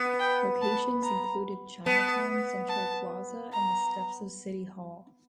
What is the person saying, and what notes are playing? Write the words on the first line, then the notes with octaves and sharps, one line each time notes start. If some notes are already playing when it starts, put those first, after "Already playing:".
Locations included Chinatown Central Plaza and the steps of City Hall.
Already playing: B3
G5
A5
A#5
B3 A5
A5
A#5